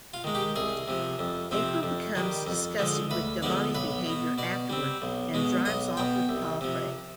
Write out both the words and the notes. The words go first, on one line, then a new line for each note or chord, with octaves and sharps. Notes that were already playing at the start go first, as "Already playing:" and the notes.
April becomes disgusted with Delauney's behaviour afterward and drives off with Palfrey.
F4
D#3 G#3
G4
C2 G#4
C3 F3
F2
C3 F3 C4
F2
D#3 G3
F2
D3 F3 G#3
D2 B4
D3 F3 G#3 B3 D5
B1 B4
B2 B3
B2 D5
G3 C4
B1
B2 G#3 B3
B1 D#5
B2 B3 G5
C2
C3 F3